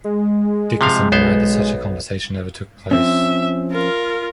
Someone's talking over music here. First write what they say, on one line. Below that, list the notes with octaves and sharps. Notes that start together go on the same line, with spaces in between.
Dickerson denied that such a conversation ever took place.
G#3
C3 F3 F5
B1 B3 C5
F3 C4 C#4 E5
F4 A#4